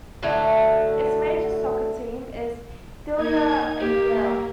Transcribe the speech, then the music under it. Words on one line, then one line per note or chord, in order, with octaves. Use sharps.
Its major soccer team is Thyella Aigeira.
A2 D3 F#3 A3
A#3 D#4 G#6
A#3 G4